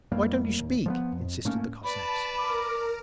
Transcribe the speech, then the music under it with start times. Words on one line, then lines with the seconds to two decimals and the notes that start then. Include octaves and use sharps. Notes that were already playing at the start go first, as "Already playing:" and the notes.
Why don't you speak?' insisted the Cossacks.
0.12 F2 A2 G3 A#3
0.59 D#2
0.86 F3 G3 B3
1.12 F2
1.45 A2 A3 A#3 C#4
1.84 B4 D5 A5 B5
2.39 A#4 D6